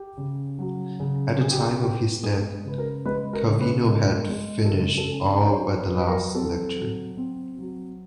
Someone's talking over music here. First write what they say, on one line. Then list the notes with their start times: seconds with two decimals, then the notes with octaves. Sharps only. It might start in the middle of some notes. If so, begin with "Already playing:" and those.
At the time of his death Calvino had finished all but the last lecture.
Already playing: G4
0.17 C#3
0.59 F#3
1.00 C#3
1.41 B3 G#4
1.51 G4
1.62 G#4
1.82 B3 G4
2.23 G#3 G#4
2.65 C#3 B4
2.78 A#4
3.06 G#3 B4
3.33 A#4
3.46 C#3
3.61 B4
3.88 G#3 A#4
4.15 A#4
4.29 G#3
4.65 A4
4.70 C#3 A#4
4.98 A4
5.11 C#4
5.25 B4
5.45 C5
5.53 F#3 C#5
5.80 B4
5.94 F#3 B4
6.07 A#4
6.35 C4 A4
6.76 F#3
7.17 C4
7.59 F#3